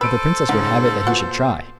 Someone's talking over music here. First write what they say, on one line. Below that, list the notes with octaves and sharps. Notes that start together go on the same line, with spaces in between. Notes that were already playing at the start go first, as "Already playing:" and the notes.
But the princess would have it that he should try.
A4 B4 C5 E6 D7 D#7
G#2 C#3 F#5
A#2 B3 F#4 F#5